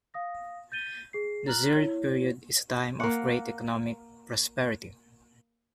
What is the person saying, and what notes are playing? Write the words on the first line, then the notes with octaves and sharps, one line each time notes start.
The Zirid period is a time of great economic prosperity.
F5 D#6 A#6
G6 A6 D#7 G7
G#4 C7
A#5 F6 F#6 F#7
E4 C#5
A#3 F#5